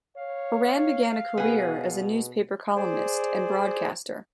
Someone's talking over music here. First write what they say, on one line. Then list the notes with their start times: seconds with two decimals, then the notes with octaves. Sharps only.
Horan began a career as a newspaper columnist and broadcaster.
0.17 C#5 F5
1.38 B2 B3 G#4
2.76 G#4 C5 D5